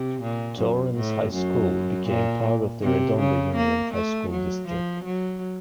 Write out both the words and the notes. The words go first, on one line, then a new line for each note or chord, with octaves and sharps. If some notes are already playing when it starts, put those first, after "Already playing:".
Torrance High School became part of the Redondo Union High School District.
Already playing: C3
A#2
F#2
A2
F#2
A#2
C3
C#3
A#3
A3
F#3
F3
F#3